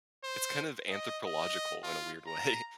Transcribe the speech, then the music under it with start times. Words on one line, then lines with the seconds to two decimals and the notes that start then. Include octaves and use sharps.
It's kind of anthropological in a weird way.
0.23 C5
0.89 D#5
1.27 D#5
1.83 F4
2.26 A#5